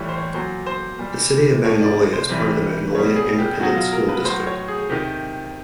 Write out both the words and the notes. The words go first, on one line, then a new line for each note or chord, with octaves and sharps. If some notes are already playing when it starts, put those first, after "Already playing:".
The city of Magnolia is part of the Magnolia Independent School District.
Already playing: A2 E3 G3 G4 C#5
C5
C#5
A#2 F#3 C5
C5
A#2 G3
C3 F3 C#5
D5
C5
C3 E3 G3
B2 G3 C#5
G#4
G4
B2 F#3 F#4
F4
A#4
B4
A2 F#3 C5
C#5
G#4
C3 D#3 G4